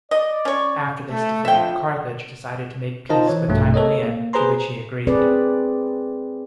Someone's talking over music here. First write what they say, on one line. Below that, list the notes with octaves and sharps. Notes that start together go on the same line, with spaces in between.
After this defeat Carthage decided to make peace with Timoleon, to which he agreed.
D5 D#5
C#4 C#5
A3
F2 D3 F3 E5 G5
D#4 F4 A#4 C5 D#5 A5
E3 C#5
A#1 G2 B2 A3
A4 A#4 C#5 D#5
A#3
G#4 B4 C5 A#5 C6
C4 G#4 B4 D5